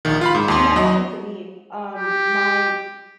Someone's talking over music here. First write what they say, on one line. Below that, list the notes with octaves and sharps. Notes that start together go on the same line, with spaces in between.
Yeah. And that happened to me, um, my
A#1 D#3
F4 F5 B5
G#2
D#2 C6
F#3 D#5
G4